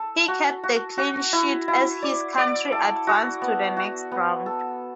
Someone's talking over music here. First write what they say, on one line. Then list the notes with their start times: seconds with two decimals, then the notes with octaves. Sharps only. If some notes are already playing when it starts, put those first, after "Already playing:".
He kept the clean sheet as his country advanced to the next round.
Already playing: A4
0.28 F#4
0.63 F#4
0.98 F#4
1.33 E4
1.68 E4
2.02 D5
2.38 D5
2.72 A4
3.07 F#4
3.42 B3
3.77 F#4
4.11 B3
4.46 A4